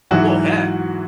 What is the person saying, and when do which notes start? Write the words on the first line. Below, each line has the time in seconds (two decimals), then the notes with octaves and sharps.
Well, heck.
0.11 G#2 E3 F#3 F#4